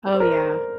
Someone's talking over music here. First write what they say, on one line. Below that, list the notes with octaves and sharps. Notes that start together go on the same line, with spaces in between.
Oh, yeah.
D5
C5
A#4
C5